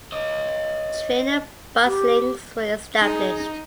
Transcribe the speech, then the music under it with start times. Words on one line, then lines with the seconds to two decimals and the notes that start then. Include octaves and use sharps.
Train and bus links were established.
0.12 C#5 D#5
1.85 G4
3.03 D#4 G#4